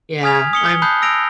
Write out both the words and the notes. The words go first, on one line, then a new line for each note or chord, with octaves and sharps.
Yeah. I'm
G#5 D#6 F6 G#6 B6 F7
D#6 C#7 G7
A5 B5 D#6 F#6 G6 C7
E6 A#6 D7 F7